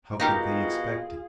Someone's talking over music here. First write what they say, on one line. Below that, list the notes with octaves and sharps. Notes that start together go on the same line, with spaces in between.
How could they expect it?
B2 D#4 F4 G4 G#4 A#4